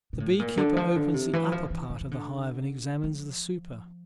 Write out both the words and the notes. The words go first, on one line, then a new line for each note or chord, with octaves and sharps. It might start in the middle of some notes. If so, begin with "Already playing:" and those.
The beekeeper opens the upper part of the hive and examines the super.
A#2
A2
A#2
D3
F3
D3
C3
E3
F3
E3
D3
E3
D3
F3